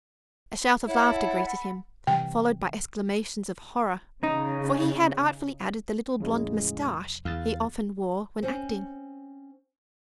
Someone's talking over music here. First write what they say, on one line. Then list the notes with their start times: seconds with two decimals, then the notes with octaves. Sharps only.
A shout of laughter greeted him, followed by exclamations of horror; for he had artfully added the little blond moustache he often wore when acting.
0.88 E4 A4 C#5 F#5 B5
2.07 C3 E3 G3 G5
4.23 C#3 D#4
6.20 E1 C#2 A2 C#3 F3 G#3
7.25 E2 F5 A6
8.43 C4 C#4